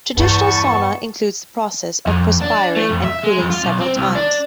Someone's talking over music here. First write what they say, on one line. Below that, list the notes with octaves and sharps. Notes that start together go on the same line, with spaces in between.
Traditional sauna includes the process of perspiring and cooling several times.
E2 G2 B3 A5 C#6
F2
D4
A3
F2
E5
G#3
F2
F4
B1
C4
C2
D4